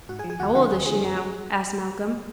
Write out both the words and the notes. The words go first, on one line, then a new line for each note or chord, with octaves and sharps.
"How old is she now?" asked Malcolm.
G#2 F#4 F#5
G#4 G#5
F3
G#4 G#5
D#2 F#4 F#5
D3 F3 F#4 F#5
D#2 G#3 G#4
D3 F3 G#3 G#4
F#2
F#3